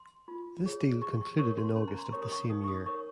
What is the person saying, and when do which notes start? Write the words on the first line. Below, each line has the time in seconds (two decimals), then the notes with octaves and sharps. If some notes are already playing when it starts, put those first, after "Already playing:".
This deal concluded in August of the same year.
Already playing: C6
0.28 F4
0.66 G#4 C#5
1.02 G4 C#6
1.21 C#6
1.39 A#4 C#5 C#6
1.58 C6
1.76 C#4 C6
1.88 A#5
1.99 C6
2.12 G4 A#4 C#5 C#6
2.22 D#6
2.32 C#6
2.50 D#4 D#6
2.64 C#6
2.68 D#6
2.86 A#4 C#5 C#6